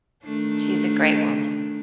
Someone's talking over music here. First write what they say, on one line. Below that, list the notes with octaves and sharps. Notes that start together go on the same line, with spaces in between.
She's a great woman.
D#3 A3 D4